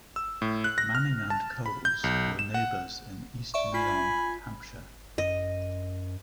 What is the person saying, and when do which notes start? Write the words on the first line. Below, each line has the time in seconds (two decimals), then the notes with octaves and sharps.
Manning and Coles were neighbors in East Meon, Hampshire.
0.16 E6
0.42 A2
0.64 F#6
0.78 A#6
0.95 F6
1.30 A5
1.66 B5
1.85 G6
2.04 B1
2.39 E7
2.54 F#5
3.54 D5 E5 C#6
3.74 F4 G#5 B5 B6
5.18 F#2 D#5